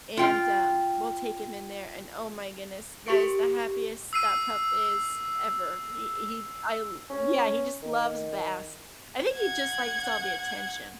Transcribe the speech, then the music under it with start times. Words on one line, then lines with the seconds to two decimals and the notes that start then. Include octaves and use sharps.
and, um, we'll take him in there and, oh my goodness, that is the happiest that pup is ever. He he I l Yeah, he just loves baths. I think he just likes all the attention.
0.17 F4 G5
3.06 G4 A#4 C#6 C#7 D7
4.13 E6 C7 D#7
7.09 C#4
7.83 D#3
9.34 F#5 G#6